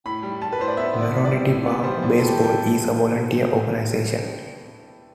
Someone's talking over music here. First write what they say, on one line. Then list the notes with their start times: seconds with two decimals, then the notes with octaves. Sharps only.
Merrionette Park Baseball is a volunteer organization.
0.06 A2 B5
0.23 G3
0.41 G3 A5
0.53 B4
0.59 A2 C5
0.68 D5
0.77 B3 E5
0.94 B3
1.01 D5
1.13 A2
1.25 D5
1.31 G3
1.49 A2
1.66 B3
1.83 G3 C5
2.02 A2
2.19 A2 A4
2.27 G4
2.34 A2 A4
2.44 G4